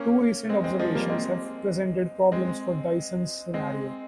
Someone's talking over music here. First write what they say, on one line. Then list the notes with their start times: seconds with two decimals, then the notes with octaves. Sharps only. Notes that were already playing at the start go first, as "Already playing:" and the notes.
Two recent observations have presented problems for Dyson's scenario.
Already playing: A#3 C#4
0.49 G#3 C4
0.64 G#3 C4
0.79 F3 G#3
0.95 G3 A#3
1.09 G#3 C4
2.32 G#3 C4
3.54 G#3 C4